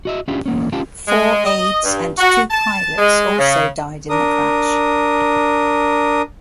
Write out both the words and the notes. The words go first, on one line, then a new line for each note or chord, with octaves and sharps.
Four aides and two pilots also died in the crash.
F#4 D#5 E5
C#4 D4 E4 F4 G4
E2 A#3 C#4
C#4 F4 G4 F5 G5 A5
G#3
D#5
G2
F#4
A5
G#3
C#3
D4 A#4 D#6